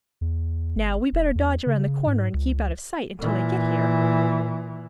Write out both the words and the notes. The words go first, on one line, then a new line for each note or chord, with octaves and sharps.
Now we'd better dodge around the corner and keep out of sight until they get here.
E2
G1
E1
E2
C#3
G#2
C#2
A#2 E3